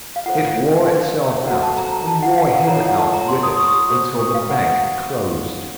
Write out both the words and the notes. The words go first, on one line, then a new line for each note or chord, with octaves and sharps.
It wore itself out, and wore him out with it, until the Bank closed.
F5
F4 A4 C5 F#5
F5
F#4 A4 C5 F#5
A5
A#5
A#5
A5
F#5
F5
F#5
F4 A4 C#5 A#5
F#5
A5
A#5
C6
D#6
D#6
C#6
D#6
F#4 C5
D#6
C#6
F5
F#5
F#5